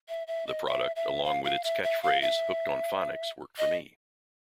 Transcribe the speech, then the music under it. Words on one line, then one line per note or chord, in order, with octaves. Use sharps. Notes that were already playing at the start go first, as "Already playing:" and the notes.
The product, along with its catchphrase Hooked on Phonics worked for me!
E5
E5
D#5
E5
E5
F5
F5
E5
E5
F5
E5
D#5